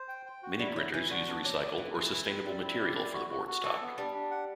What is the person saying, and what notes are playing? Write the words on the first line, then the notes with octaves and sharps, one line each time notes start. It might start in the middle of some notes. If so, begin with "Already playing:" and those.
Many printers use recycled or sustainable material for the board stock.
Already playing: C5
G5
G5
F#4
G3 E4
F#3 E4
E3 E4
D3 F#4
E3 D4
F#3 D5
E3 B4
E3 E4
E3 E4
E3 B4
C4
G3 C4
E4
D5
E4
F#4
F#4
F#4
E3 A4
B3
G3 D4
D4
F#5